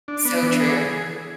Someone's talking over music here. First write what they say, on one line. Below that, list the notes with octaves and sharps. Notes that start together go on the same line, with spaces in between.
So true.
D4
B3
E3
G#4